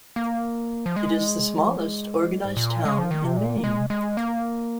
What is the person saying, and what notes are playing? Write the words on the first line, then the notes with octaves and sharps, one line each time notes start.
It is the smallest organized town in Maine.
A#3
F3
G#3
F3
G#3
G#2
A#2
G#3
F3
D#3
C3
A#2
A#3
G#3
G#3
A#3